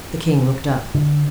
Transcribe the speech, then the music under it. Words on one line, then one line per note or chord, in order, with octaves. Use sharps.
The king looked up.
D3